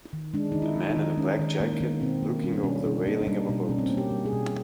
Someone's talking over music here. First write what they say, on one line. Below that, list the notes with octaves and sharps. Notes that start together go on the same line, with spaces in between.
A man in a black jacket looking over the railing of a boat.
D#3
G#3 D4
D#3 D#4
E4
G#3
D#4
D#3
G#3 C#4
D#3
G#3 A#3
A#3
D#3 B3
B2 C4
A#3
G3 C#4
D4
B2 C#4
B2 D4
A#3 D#4
D4
G3 D#4
B2 D4
B2 C#4
C4
C#4
A#3
G4
G3
G#4
B2